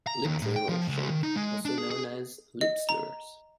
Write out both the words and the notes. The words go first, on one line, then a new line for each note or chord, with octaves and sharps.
Lip-Trill or Shake: Also known as "lip-slurs".
A#5
D#2
A2
G5
F3
C#2
D#3
D#4
G#3
D4
G#4
G#4
D#5
A#5